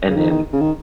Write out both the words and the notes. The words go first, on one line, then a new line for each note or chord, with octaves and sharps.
And then,
C#3
D#3
D#3
C#3
D#3